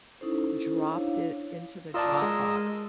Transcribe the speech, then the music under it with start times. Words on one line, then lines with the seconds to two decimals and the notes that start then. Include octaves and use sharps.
dropped it into the drop box,
0.21 C#4 D#4 E4 A4 C5
0.89 D4 E4 C#5 F5
1.94 F4 A#4 D5 D#5 A5 E6
2.22 G#3